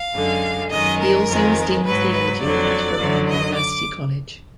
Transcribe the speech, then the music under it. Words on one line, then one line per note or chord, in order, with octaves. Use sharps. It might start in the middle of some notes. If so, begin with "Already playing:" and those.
He also was Dean of Theology at Huron University College.
Already playing: F5
F#2 D3 G#3
F#2 D#3 G#3 D#5
A#4
F2 D#3 G#3
G#2 F#3 B4
B4
F2 D3 F#3 D5
F#2 D3 F#3
D#5
D6